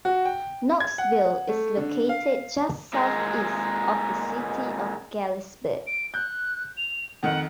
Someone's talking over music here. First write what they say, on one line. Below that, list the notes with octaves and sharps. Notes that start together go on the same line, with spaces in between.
Knoxville is located just southeast of the City of Galesburg.
F#4
G5
G#6
F#5
A3
D3
F5
A#2 G#3
D7
F#6 G6
F7
F2 D#3 F#5